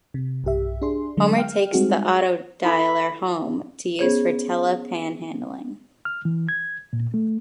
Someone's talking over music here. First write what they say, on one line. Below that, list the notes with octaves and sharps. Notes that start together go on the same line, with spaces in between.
Homer takes the autodialer home to use for tele-panhandling.
C3
B1 G2 G4 E5
D4 G#4 C6
D3 F#3 G#3
G5 F6
G3 G#3 C4 D#4 F#4 G#4
E4 A4 E5 B5
B3 C#4 G#4 C5 C#5
F6
E3
G#6
A#2
A3